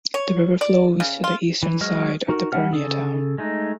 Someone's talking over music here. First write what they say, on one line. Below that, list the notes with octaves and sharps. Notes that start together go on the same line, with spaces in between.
The river flows to the eastern side of the Purnia town.
C#5
D5
C#3
F4
E3
F#3 G#3 D#5 F6
D#4 F#4 A#4
G3 D4 E5 F#5 F6
C#3 A4 D#6
G#3 A3 D#4